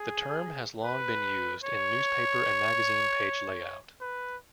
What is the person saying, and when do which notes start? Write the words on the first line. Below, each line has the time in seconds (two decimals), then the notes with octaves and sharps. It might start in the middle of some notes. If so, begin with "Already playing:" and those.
The term has long been used in newspaper and magazine page layout.
Already playing: G#4
0.83 B4
1.64 C#5
4.01 B4